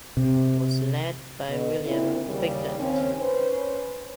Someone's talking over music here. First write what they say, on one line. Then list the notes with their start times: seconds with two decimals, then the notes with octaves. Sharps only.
It was led by William Pickard.
0.17 C3
1.48 B2
1.86 D2 A#2 C4 D#4 E4
2.28 D#2 C#3 G3
2.80 D#2 C4 C#4
3.21 C#4 B4 C5